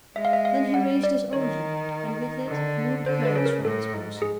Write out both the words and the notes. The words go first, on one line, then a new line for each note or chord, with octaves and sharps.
Then he raised his own hand, and with it moved hers from his person.
G#3 E5
F5
E5
F5
G3 F#5
D5
D#3 C#5
D3
D3 C5
B4
C#3
A#4
A2 A4
G#2
G#4